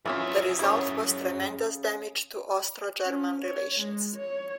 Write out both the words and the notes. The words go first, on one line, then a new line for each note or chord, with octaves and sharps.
The result was tremendous damage to Austro-German relations.
F#2 E3 F#3 C#4 F4 G#4 E5 F5
C#3 E4 C#5
C#4
C#5
G#3
C#5